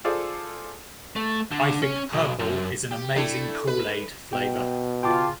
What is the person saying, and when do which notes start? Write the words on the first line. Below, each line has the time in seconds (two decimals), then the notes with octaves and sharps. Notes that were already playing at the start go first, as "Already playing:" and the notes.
I think purple is an amazing kool-aid flavor.
0.04 F4 G#4 A4 C5 D5
1.16 A3
1.51 D3
1.82 C#4
2.13 B1
2.39 F#2
2.91 G4
3.15 A3 D4 E4
3.67 B4
4.33 B2 G5
5.03 C#3 F4 G5 A5 D6